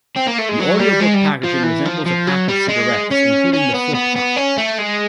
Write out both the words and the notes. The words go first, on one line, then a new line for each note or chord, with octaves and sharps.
The audiobook packaging resembles a pack of cigarettes, including the flip top.
C4
A#3
A3
G#3
F#3
G3
G#3
G3
F3
E3
F3
F3
F#3
G3
G#3
C#4
C#4
B3
B3
B3
C#4
A3
G#3